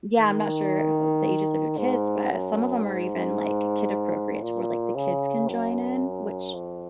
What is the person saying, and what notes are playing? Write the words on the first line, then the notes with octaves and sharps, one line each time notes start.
yeah, I'm not sure about the ages of your kids, but some of them are even, like, kid appropriate to where, like, the kids can join in, which
D#3
G#2
F#2
G#2
A#2
C#3
F#2
F2